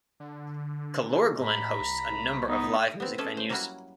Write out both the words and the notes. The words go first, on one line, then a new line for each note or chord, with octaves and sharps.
Killorglin host a number of live music venues.
D3
A2 A#5 B5
C2
B3 D#4
B3 C4
G#3 C#4 G#4 A4 D5 E5
C5
F#3 G3 A#3 C#4 E4 F#4